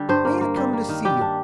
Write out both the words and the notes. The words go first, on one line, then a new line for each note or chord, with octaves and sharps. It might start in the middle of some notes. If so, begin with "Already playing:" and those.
May I come to see you?
Already playing: D3 G3
G2 C5
A#3
A#3
G3
A#3
D#3
G3 G4
D4